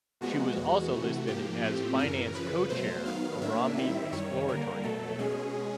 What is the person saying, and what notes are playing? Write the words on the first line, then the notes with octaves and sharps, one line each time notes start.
She was also listed as finance co-chair of Romney's exploratory committee.
A#2 F3 G#3 B3 F#4
E2 B2 G#3 F#4
C3 E3 A3
G#2 F3 A#3 G4
A2 F3 A3 C4
F#2 C#3 E3 A#4
F#2 C#3 F3 B4
B2 F#3 A3 C5
D#3 F#3 B3 F5
A2 F#3 A#3 D4 E5
D#3 G3 C4 E4
F#2 D#3 G3 C#5
D3 G3 A#3 A#4
B2 F#3 A3 A4
B2 G#3 C#4 G#4